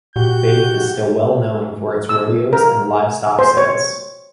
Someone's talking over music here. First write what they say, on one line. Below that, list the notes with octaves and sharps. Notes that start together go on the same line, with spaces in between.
Faith is still well known for its rodeos and livestock sales.
A#2 F#4 G4 G6
E6
A#4
C5
C#5